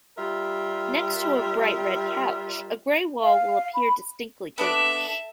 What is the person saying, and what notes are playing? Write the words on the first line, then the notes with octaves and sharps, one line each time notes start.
Next to a bright red couch, a gray wall will appear distinctly greenish.
G3 F4 A#4 E5
F5
B5
B3 D4 A4 D5 E5